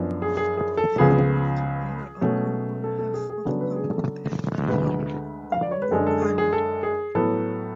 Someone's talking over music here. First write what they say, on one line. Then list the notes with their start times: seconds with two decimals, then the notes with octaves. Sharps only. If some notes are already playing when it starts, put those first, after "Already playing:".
They worked together again on her forthcoming third album "The Longing Kind".
Already playing: F#2 F3 B3 D4
0.22 G#4
0.37 G#4
0.57 G#4
0.77 A4
0.98 C#2 C#3 F3 B3 G#4
2.21 B2 F#3 A3 C#4
2.84 A4
2.99 A4
3.14 G#4
3.30 G#4
3.45 C#3 F#3 B3 D4 A4
3.61 B4
3.76 G#4
3.91 A4
4.69 D2 D3 G#3 B4
5.52 F5
5.63 D5
5.71 C#5
5.82 B4
5.91 F#2 D3 G#3 D4 A4
6.07 A4
6.22 G#4
6.38 G#4
6.53 A4
6.83 G#4
7.15 A2 F#3 B3 A4